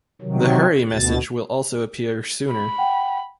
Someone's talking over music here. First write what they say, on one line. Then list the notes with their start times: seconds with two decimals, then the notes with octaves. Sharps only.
The "Hurry" message will also appear sooner.
0.22 C3 D#3 F#3
0.90 D2 B2 A6
2.49 B5
2.78 F#5 G5